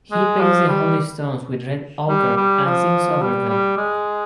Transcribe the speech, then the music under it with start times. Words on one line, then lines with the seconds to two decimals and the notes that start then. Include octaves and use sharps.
He paints the holy stones with red ochre and sings over them.
0.11 G#3
0.40 F3
0.68 G3
2.09 G3
2.37 G3
2.65 F3
3.21 G3
3.49 G3
3.77 G#3